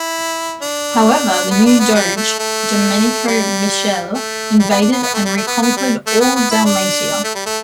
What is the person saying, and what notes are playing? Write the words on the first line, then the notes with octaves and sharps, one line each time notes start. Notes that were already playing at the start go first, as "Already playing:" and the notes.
However, the new Doge, Domenico Michele, invaded and reconquered all Dalmatia.
Already playing: E4
D4
B3
D4
B3
G3
A3
A3
G3
A3
G3
B3
D4
B3
B3
A3
G3
A3
B3
B3
G3
A3
B3
B3
E4
D4
A3
G3
A3